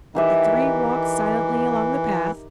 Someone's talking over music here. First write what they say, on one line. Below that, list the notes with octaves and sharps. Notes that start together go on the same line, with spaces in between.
The three walked silently along the path.
D#3 E3 G4 E5